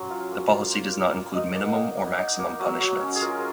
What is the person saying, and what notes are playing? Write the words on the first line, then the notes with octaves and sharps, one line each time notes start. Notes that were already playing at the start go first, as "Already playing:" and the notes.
The policy does not include minimum or maximum punishments.
Already playing: F#3 C#4 C6
F4 F5
A#3
F4
A#3
F4
A#3
D#4 D#5
A#3
F#5
D#4
A#3
D#4
A#3
F#3
F#3
C#4
G#4
F4 A#4